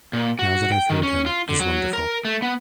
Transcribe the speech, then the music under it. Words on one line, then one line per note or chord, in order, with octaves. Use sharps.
Now that I've heard him, he's wonderful.
A#2
F#4
G5
D#3
C#4
F4
D3
F#3
A#4
A3
B3